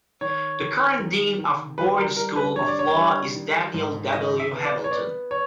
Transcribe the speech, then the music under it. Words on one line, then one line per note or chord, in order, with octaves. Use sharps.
The current dean of the Boyd School of Law is Daniel W. Hamilton.
D#3 C#5
D#3
D#3
D#3
G3 B4
A#4
G3 A#4
B4
D3 C#5
D5
C#5
G3
D#3
G#2
D#3 D#5
E5
B3
D5
C#5
B3 D5
C#5